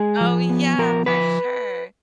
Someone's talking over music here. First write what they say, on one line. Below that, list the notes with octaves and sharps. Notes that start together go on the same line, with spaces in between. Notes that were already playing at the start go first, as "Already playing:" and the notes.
Oh, yeah, for sure.
Already playing: G#3 G#4
F3
B3
F3 A#4
F3 B4